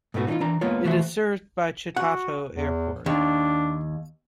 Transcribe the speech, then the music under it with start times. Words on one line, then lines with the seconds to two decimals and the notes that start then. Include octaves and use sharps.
It is served by Chitato Airport.
0.14 G#2 B2 A3 B3 F#4
0.27 E3 A3 C#4 D#4 F4
0.40 E3 D4 A#5
0.61 G#3 A#3 B3 F4 C#5
0.85 E3 A3 F#4 C5 E5
1.97 F#4 F#5
2.53 E2
3.06 D#2 D4